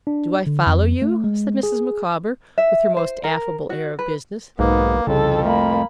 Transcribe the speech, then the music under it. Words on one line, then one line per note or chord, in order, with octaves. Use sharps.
'Do I follow you?' said Mrs. Micawber, with her most affable air of business.
D4
D3
F2
A3
G#3
G#4
E5
C5
A#4
F#4
B4
B1 G#2 A#3 B3
C2 F2 C#3 A4
A3 A#3 B5